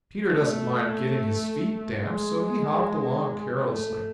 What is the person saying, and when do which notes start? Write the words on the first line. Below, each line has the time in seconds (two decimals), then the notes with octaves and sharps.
Peter doesn't mind getting his feet damp, so he hopped along carelessly.
0.32 A3
2.01 G#3
3.70 A3